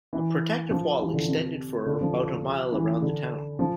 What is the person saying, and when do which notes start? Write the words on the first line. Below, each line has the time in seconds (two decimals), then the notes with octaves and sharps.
A protective wall extended for about a mile around the town.
0.13 E3
0.71 F3
0.99 E3
1.13 D3
1.28 C3
1.86 D3
2.01 F3
2.72 E3
3.02 D3
3.59 F3